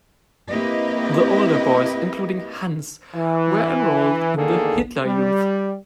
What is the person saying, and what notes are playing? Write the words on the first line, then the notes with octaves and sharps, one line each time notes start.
The older boys, including Hans, were enrolled in the Hitler Youth.
A#3 C4 E4 G4 B4 D#5
E3
E2 D3 D#3 A#3 G#4 A4
G3